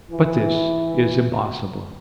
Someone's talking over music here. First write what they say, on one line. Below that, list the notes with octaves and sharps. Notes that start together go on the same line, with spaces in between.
But this is impossible.
E3 E4